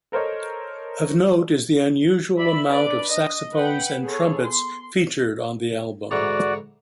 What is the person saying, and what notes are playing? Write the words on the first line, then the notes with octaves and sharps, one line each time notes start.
Of note is the unusual amount of saxophones and trumpets featured on the album.
A4 A#4 C5 C#5 D#5
D5 E5 B5
D4 B4 D5
D#5
B4 F#5 G5
B3 G#4 A4 C#5
C6
G#2 D3 E3 F#4 D5 F#5